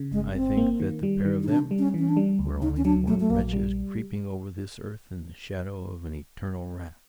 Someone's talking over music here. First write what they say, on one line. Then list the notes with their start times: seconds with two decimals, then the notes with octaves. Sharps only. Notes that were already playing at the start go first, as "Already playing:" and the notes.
I think that the pair of them were only poor wretches, creeping over this earth in the shadow of an eternal wrath.
Already playing: C#3
0.12 G1 G#3
0.34 G1 C4
0.57 A#3
0.80 D#3
1.03 G3
1.25 D#3
1.43 D#4
1.48 C3 D4
1.71 G3
1.79 C#4
1.94 E3 C#4
2.09 D4
2.17 G3
2.39 D2
2.62 D2 D#4
2.77 C#4
2.85 F#3 D4
3.07 F#3 A3
3.20 A3
3.30 A#1 A#3
3.53 G3